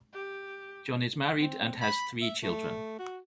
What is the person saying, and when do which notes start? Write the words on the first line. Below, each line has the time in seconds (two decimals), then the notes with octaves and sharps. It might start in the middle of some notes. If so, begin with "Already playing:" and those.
John is married and has three children.
0.13 G4
1.41 C4
1.81 B5
2.22 E5
2.43 A3
2.99 F#4